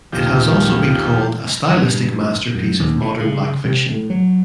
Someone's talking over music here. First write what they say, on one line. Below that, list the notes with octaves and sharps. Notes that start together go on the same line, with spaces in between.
It has also been called "a stylistic masterpiece of modern black fiction".
A#1 D#2 F3 G4
G2
F#2
D#2
B2
C#3
C3
A2
F#3